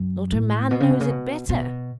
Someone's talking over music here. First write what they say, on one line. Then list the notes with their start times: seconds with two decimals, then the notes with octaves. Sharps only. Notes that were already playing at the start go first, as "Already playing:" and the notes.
Not a man knows it better.
Already playing: F#2
0.32 A2
0.71 B2
0.80 C#3
0.90 B2
1.00 C#3
1.10 B2
1.49 B2